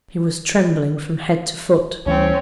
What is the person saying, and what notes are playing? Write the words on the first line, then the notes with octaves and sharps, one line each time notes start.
He was trembling from head to foot.
D2 E3 G3 C4 C#4 C#5